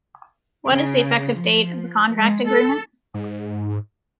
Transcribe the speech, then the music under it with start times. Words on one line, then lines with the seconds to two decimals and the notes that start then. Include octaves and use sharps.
What is the effective date of the contract agreement?
0.69 C#3
1.35 F3
2.18 G#3
2.48 A4
3.14 G#2